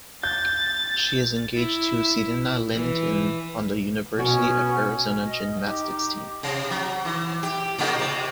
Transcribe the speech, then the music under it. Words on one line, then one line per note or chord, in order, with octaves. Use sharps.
She is engaged to Sirena Linton on the University of Arizona Gymnastics Team.
G6 A6
E4
E3
B2 B3 C#4 F#4
D#5
D#4 G4 D6
C3
F#3
E3
G4
A#2 C#3 A#3
C3